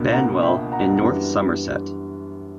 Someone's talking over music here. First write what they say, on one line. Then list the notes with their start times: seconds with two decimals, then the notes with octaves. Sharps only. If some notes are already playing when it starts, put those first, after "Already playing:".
Banwell in North Somerset.
Already playing: C#2 B2 A#3 D4
0.13 F#5 A#5
0.42 E5 G5
0.72 F#5 A#5
1.01 F#2 E3 G3 B3 D4